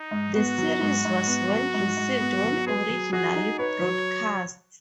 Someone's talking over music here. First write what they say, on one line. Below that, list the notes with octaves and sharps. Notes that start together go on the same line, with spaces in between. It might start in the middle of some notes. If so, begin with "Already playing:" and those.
The series was well-received when originally broadcast.
Already playing: D#4
G#2
B3 F#4
F#3
G#2
G#2
B3
F#3
G#2
G#2
B3
F#3
G#4 B4
F#3
F#4 G#4
D#4
B4 C#5
F#3